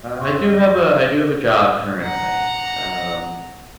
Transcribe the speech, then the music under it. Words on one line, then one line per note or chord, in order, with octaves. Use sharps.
Uh, I do have a I do have a job, currently, um,
F#2 C#3 C4 C6 C#6
D#5
F#5 A#5